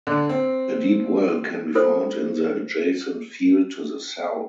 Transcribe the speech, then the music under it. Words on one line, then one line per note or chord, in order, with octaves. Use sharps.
A deep well can be found in the adjacent field to the south.
D3
C4
F4 A4 C5